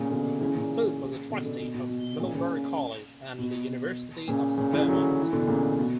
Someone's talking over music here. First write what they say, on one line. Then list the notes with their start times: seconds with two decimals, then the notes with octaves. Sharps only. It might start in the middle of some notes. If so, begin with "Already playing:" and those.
Foot was a Trustee of Middlebury College and the University of Vermont.
Already playing: A#2 C#3
0.10 B2 D3
0.40 C#3 E3
0.55 A#2 C#3
1.30 B2 D3
1.45 B2 D3
1.60 B2
1.74 B2
1.89 B2
2.19 A#2 C#3
2.34 A#2 C#3
3.38 B2
4.28 A#2 C#3
4.58 A#2 C#3
4.73 C#3 E3
4.87 D3 F#3
5.22 E3
5.33 B2 D3
5.47 A#2 C#3
5.78 B2